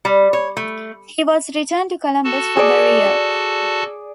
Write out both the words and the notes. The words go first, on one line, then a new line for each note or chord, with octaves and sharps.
He was returned to Columbus for burial.
G3
C#5
A3
F#4 A4 A5
G#4 D5